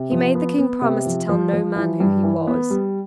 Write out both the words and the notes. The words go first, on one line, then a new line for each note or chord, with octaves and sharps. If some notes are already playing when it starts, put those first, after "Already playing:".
He made the King promise to tell no man who he was.
Already playing: C3
F3
B3
B3
C3
F3
F3
F3
E3
G2
E3
B3
G3